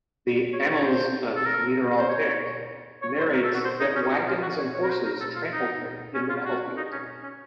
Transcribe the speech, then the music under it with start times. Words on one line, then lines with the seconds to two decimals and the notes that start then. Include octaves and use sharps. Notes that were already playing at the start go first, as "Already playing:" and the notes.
The "Annals of Niederaltaich" narrates that wagons and horses trampled him in the battlefield.
0.53 C#5
0.64 C5
0.74 C#5
0.84 C5
1.37 A4
1.46 A#4
1.98 C5
2.09 C#5
3.02 C#5
3.14 C#5
3.18 C5
3.34 A#4
3.44 A4
3.55 F#4
3.65 C5
3.80 D#4
3.96 C#4
4.12 D#4
4.27 F4
4.42 F#4
4.58 C#5
4.74 C#5
4.83 A#4
4.89 C5
5.05 A#4
5.20 A4
5.36 F4
5.52 D#4
6.15 C#4
6.29 F4
6.45 F#4
6.77 D#4
6.92 C#4
7.23 C#4